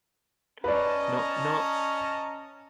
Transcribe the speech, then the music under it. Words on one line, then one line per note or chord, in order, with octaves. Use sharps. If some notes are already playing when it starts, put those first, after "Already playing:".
Knock, knock.
C#4 B4 D5 D#5 A5 A#5